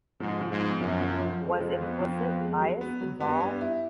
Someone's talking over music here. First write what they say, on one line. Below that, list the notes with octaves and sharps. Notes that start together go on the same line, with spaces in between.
Was implicit bias involved?
G#2 F3
F3
G#2
B3
F#2 F3
F3
F3
F2 G#3
F3
B3
F3
B3
G#3
F#3
B3
F#3
G2 B3
B3
E4